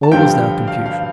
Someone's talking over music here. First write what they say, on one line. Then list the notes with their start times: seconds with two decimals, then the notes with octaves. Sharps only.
All was now confusion.
0.03 A5
0.11 G2 D3 F3 G5
0.68 F5
0.86 F5